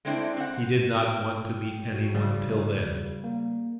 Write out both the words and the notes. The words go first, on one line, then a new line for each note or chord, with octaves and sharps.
He did not want to meet anyone till then.
G#3 A3 C4 D4 E4
C4 F#5
G5 E6 F6
F#4
C#3 G3
A#3